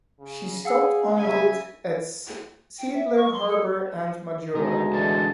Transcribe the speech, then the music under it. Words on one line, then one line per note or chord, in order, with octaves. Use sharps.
She stopped en route at Seeadler Harbor and Majuro.
C#3
G#4 F5 F#5 E6
C#3 E5 G#5
G5
E5
C#6
C6
A4
D2 B2 D#3 G#3 A#5
D3 E3 D4 A5